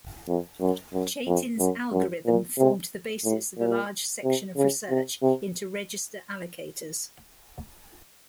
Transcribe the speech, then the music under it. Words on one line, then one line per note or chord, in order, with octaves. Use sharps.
Chaitin's algorithm formed the basis of a large section of research into register allocators.
F2
F#2
F#2
F2
F#2
F#2
A#2
C3
A2
A#2
C3
C#3
C3
C3